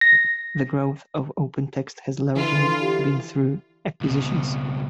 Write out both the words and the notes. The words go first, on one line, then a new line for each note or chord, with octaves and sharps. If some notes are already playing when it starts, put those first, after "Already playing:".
The growth of OpenText has largely been through acquisitions.
A#6
D3 E3 F4
G4
C#2 B2